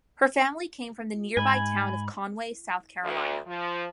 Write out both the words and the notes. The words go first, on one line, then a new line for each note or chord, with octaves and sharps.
Her family came from the nearby town of Conway, South Carolina.
G#2 G#5 B5
D2
F3